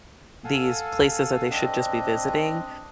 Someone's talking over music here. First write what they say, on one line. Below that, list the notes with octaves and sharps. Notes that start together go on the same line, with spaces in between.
these places that they should just be visiting.
A4 F5 F#5 G#5 E6
C4 D4 D#5